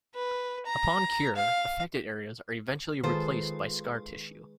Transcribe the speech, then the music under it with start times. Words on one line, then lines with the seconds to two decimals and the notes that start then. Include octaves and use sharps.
Upon cure, affected areas are eventually replaced by scar tissue.
0.15 B4
0.66 A#5
1.36 F5
3.04 D#3 G#3 F4 G#4 A4 B4 C5